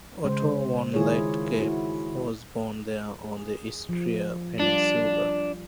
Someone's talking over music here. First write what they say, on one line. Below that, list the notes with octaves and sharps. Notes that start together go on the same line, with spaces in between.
Otto von Leitgeb was born there, on the Istria peninsula.
C#3 G#3 C5
D#3 G#3 E4 F4 G#4 C#5
E4 F#4
G#4
F3
G3 D4 F4